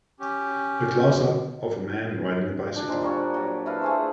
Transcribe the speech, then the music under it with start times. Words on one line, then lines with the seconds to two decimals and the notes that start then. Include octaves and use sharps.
A closeup of a man riding a bicycle.
0.20 C#4 G4
2.76 D4
2.88 A#2 D#4 C5
3.02 G3 A#3 D4 C#5
3.34 F#3 G4
3.66 E4 A4 B4 F5
3.82 A3 G#4 C5